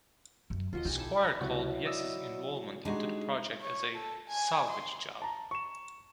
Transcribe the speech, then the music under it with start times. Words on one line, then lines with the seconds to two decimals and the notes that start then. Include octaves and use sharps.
Squire called Yes's involvement into the project as a "salvage job".
0.50 F#2
0.73 D#2 F4 F#4 D#5
0.85 B1 D#4 G4 G#5
0.98 E4 A4 A5
1.41 C#2 C3 F#3 E4 F#4
1.85 D5 D#5 E6
2.85 G#3 D4 D#4 F#4 G4
3.61 C#5
3.95 A4
4.28 G#5
4.71 C6
5.22 A5 A#5
5.51 C#6 E7